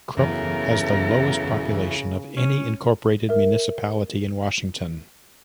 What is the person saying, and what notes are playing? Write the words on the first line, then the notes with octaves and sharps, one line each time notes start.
Krupp has the lowest population of any incorporated municipality in Washington.
F#2 C#3 E3 A3 B3 A#4
C#4
A#4 E5